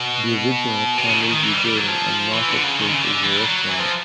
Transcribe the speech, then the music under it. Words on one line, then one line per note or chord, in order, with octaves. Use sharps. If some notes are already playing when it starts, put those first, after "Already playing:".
The original Carnegie building on Market Street is a restaurant.
Already playing: B2
C3
C#3
D#3
D#3
E3
G3
G3
F#3
F3
E3
D3
C#3
D#3
D3
C#3
D3
E3
G3
F#3
E3
F3